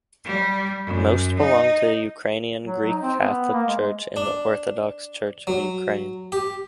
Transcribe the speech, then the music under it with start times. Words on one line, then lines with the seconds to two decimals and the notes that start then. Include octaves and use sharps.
Most belong to the Ukrainian Greek Catholic Church and the Orthodox Church of Ukraine.
0.25 G3
0.85 F#2
1.38 D#4
2.64 F#3
2.88 D#4
3.02 C4
3.20 B3
3.53 A#3
3.67 G#3
4.17 D4
5.47 F#3
6.32 G4